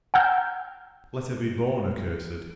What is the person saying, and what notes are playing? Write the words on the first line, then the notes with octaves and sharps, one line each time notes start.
Let her be born accursed.
F#5 G5 A#5 E6 F6 G6